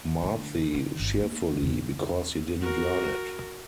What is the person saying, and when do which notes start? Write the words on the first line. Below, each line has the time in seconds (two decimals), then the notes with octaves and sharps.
Marthe, cheerfully. — Because he didn’t learn it.
0.23 D3
0.74 D#3
0.99 G1
1.20 A#3
1.63 E2
2.61 F#4 A#4